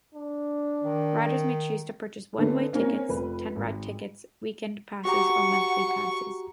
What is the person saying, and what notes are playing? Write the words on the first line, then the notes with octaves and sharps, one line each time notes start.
Riders may choose to purchase one-way tickets, ten-ride tickets, weekend passes or monthly passes.
D4
D#3
D3 A3 B3 C#4
A#3 C4 C#4 A#4
F1 B4
G#1
F#4 G4 F#5 A#5 C#6